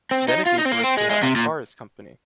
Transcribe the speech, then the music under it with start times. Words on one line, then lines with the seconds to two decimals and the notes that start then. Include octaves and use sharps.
Then it gave birth to the Actaris company.
0.11 C4
0.28 D#4
0.46 F4
0.58 D#4
0.65 C4
0.72 A#3
0.84 C4
0.97 G#3
1.10 G#3
1.23 C3
1.36 A#2